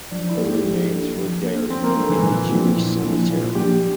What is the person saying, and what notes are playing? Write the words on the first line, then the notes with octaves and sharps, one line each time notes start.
Her remains were buried in the Jewish cemetery.
F3 D4
E4
A#3 D4 A4
G4
F3
A#3 D4 A4
F3
A#3 D4 A4
F3 C4
A#3
A3 A#3 D4 A4
E3
A#2 E3
F3
F3 A#3 C4 D4
A#2 E4
F3 A#3 D4 E4
A#2 F4
F3 A#3 D4 G4